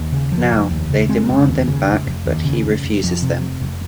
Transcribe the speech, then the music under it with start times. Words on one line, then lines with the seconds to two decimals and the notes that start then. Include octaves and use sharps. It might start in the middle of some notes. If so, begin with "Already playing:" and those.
Now, they demand them back, but he refuses them.
Already playing: D#2
0.12 C#3
0.31 F1 F3
0.51 F1
0.71 D#2
0.90 C#3
1.09 F1 G#3 C4
1.29 F1
1.49 D#2
1.68 C#3
1.87 F1
2.07 F1
2.26 D#2
2.45 C#3
2.64 F1
2.84 F1
3.04 F2
3.22 C3
3.42 F1
3.61 F1